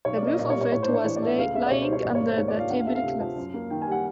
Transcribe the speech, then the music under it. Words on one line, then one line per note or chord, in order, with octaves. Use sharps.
The proof of it was lying under the table-cloth.
B1 C#5
D5
A#3 D#5
A#2 D5
C#5
G3
C#5
A2 C#5
C5
D4
C#5
E3 C#5
D5
A3 E5
C#2 F5
C#2 E5
D5
B2 C#5
C5
G3
C#5
G#1 D5
C#5
A#3
C5
G#2 C#5
D5
F3
F5
D2 F#5
F5
A3 E5
F5
C3
F3
F#2
A#3
D#3 G5
G#5
G3 F#5